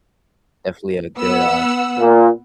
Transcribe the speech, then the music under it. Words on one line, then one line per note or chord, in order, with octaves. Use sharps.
definitely had a good, uh
B3 F#5 E6
A#2